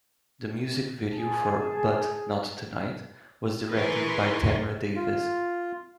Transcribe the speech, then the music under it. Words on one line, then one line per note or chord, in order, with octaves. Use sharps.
The music video for "But Not Tonight" was directed by Tamra Davis.
G#4 A5
E3 G#4 A#4 B4 C6 C#6
F4